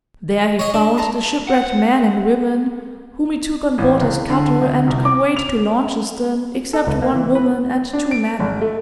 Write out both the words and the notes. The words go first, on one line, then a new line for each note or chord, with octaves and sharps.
There he found the shipwrecked men and women whom he took on board his cutter, and conveyed to Launceston, except one woman and two men.
C#5 D#5
D4
A5 A#5 C6
F#5
A1
C#2
D3
D2
C2
D6
F7
A4
C#2
A#3
E3
B4
D4
D7
G#1
A3